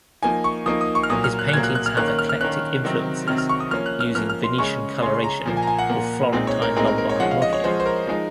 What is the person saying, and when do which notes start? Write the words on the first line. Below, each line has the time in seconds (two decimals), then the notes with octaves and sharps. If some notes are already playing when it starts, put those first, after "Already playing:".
His paintings have eclectic influences using Venetian coloration with Florentine-Lombard modeling.
0.22 F3 A#3 D#4 G#5
0.44 C#6
0.66 F3 A#3 D#4 D#6
0.81 D#6
0.95 C#6
1.03 F6
1.10 A#2 F#3 A#3 D#6
1.24 F6
1.39 F#6
1.49 F#6
1.53 A#2 F#3 A#3 G#6
1.64 F#6
1.75 F#6
1.86 F6
1.97 D#3 A#3 C#4 F#6
2.08 F#6
2.19 F6
2.29 F6
2.41 D#3 A#3 C#4 F#6
2.84 C3 D#3 F#3 C4
3.27 C3 D#3 F#3 C4 F6
3.38 F6
3.49 C#6
3.60 D#6
3.71 F3 A#3 C#4 F6
3.86 F#6
4.00 F6
4.15 F3 A#3 C#4 F6
4.30 F6
4.44 C6
4.58 C#3 G#3 C#4 C#6
5.02 C#3 G#3 C#4 C6
5.14 C6
5.24 A#5
5.46 A#2 F3 A#3
5.57 G#5
5.62 A#5
5.67 G#5
5.79 F#5
5.89 A#2 F3 A#3
6.32 A#2 G#3 C4 D#4
6.47 C#5
6.62 A#4
6.76 A#2 G#3 C4 D#4 A#4
6.87 A#4
6.98 A#4
7.09 C#5
7.20 F3 G#3 C#4 F#5
7.31 F5
7.42 D#5
7.53 C#5
7.64 F3 G#3 C#4 C5
7.80 C5
7.86 A#4
8.07 F3 G#3 D#4